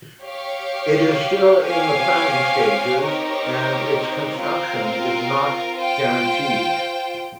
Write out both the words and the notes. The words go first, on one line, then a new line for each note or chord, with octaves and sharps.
It is still in the planning stages and its construction is not guaranteed.
G4 C#5 F5
C4 G4 C#5 F5 G#5
C4 D#4 G4 A#4 C#5
C4 F4 A#4
F4 C5 G5